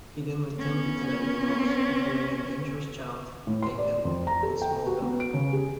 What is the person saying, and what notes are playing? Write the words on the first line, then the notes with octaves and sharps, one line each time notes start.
He then returned to television roles, appearing in "Dangerous Child", "Taken", and "Smallville".
B3 C#4
A2
C6
D5
F2
A#5
A4
G5
F#4
B3
D7
C#3
G#4